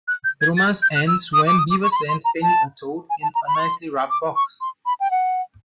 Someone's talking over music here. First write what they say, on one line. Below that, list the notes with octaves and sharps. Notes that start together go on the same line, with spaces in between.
The romance ends when Beaver sends Penny a toad in a nicely wrapped box.
F#6
G6
G#6
A6
G6
F#6
E6
D#6
D6
D#6
D6
C#6
B5
C6
C6
A#5
A5
G#5
A5
A#5
B5
C#6
C6
D6
C#6
C6
B5
G5
F#5